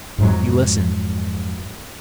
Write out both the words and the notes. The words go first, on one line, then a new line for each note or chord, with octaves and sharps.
He listened.
F2 G#2 F#3